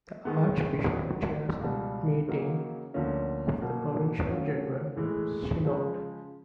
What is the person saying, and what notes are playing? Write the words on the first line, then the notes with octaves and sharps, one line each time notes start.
The Archbishop chairs the meeting of the Provincial General Synod.
D#3 G#3 B3
D#3 F#3 B3
C#2 B2 G3
C#3 F#3 A#3 D#4
D2 D3 F3 A#3 C#4
B2 F#3 A#3
F#3 A3 C#4 F4
A2 E3 G#3
C#3 F3 G#3